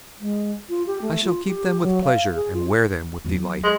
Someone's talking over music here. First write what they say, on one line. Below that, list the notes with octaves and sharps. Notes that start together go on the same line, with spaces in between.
I shall keep them with pleasure and wear them with delight.
G#3
F4
G4
A3
F4
G4
F#3
F5
G#4
F4
E2 F#3
G#3